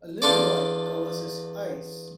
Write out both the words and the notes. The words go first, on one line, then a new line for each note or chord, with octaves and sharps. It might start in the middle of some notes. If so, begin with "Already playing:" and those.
A little boy covers his eyes.
E2 D4 F4 A4 D5